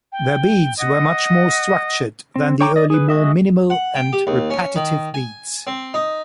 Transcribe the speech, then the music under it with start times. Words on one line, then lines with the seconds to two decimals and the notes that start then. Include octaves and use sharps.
Their beats were much more structured than the early more minimal and repetitive beats.
0.12 G5
0.79 D#5 F#5
2.36 C4
2.61 C#5 G5 A#5 D6
2.76 D5 D#5
2.90 G#4 B4
3.09 G#3 F#4 D#5 E5
3.70 F#5
3.95 G5
4.13 G4
4.27 D#2
4.50 C#4
4.76 D#3
5.14 G#5
5.67 C4
5.94 D#4